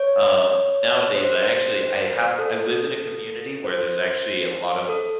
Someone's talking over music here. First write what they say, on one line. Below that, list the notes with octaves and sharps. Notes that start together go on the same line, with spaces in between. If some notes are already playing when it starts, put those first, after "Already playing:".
um, nowadays I actually I have I live in a community where there's actually a lot of,
Already playing: C#5
C5
A4
C5
A4